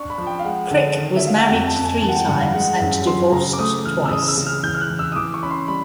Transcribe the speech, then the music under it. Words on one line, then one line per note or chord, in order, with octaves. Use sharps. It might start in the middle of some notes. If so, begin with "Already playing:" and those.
Crick was married three times and divorced twice.
Already playing: D4 C#6
B5
F3
G5
F5
G#3 F#5
D3
D#3
E5
G#3 F5
F#5
F2 G5
A5
F2
G#5
G#5
E3 A5
F#5
G5
G2 F#5
F5
G#3 F#5
F#2
F#3 C6
C#3 A#5
D6
A3 D#6
E3 F6
E6
C#3 D#6
E6
C#3
F6
E3 G6
F6
F#6
E3
E6
D#6
E3 D6
C#6
C#4 B5
C6
G3 B5